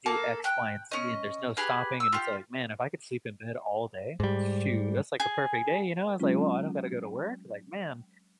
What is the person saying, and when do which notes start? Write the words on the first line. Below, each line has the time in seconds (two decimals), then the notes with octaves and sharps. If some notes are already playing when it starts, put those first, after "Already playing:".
do X, Y, and Z, and there's no stopping," and it's like, "Man, if I could sleep in bed all day, shoot, that's like the perfect day," you know? I was like, "Well, I don't gotta go to work." Like, man,
0.06 A#3 A4 A5
0.44 G5 F#6
0.91 C#4 D#5
1.57 G4 G#4 B4
2.00 E6
2.13 F4 G4
4.20 G#2 G3
5.20 G#4
6.20 F#3 G#3 C4 C#4 F4